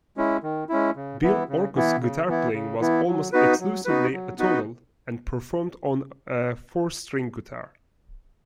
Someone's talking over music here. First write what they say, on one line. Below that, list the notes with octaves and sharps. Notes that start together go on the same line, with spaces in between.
Bill Orcutt's guitar playing was almost exclusively atonal, and performed on a four-string guitar.
G#3 C#4 E4
D#3
G#3 C#4 E4
C#3
E3 B3 E4
C#3
E3 B3 E4
C#3
E3 B3 E4
C#3
E3 B3 E4
F#3
B3 D#4 F#4 B4
F#3
B3 D#4 F#4 B4
F#3
B3 D#4 F#4 B4